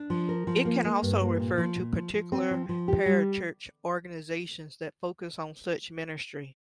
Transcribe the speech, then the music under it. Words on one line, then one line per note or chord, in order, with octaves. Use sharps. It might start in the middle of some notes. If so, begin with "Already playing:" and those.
It can also refer to particular parachurch organizations that focus on such ministry.
Already playing: D4
F3
A#4
F3
A#3
A#3
G2
A#3
A#2
F3
A#2
F3
F3
C4
F3
F3
G4
G3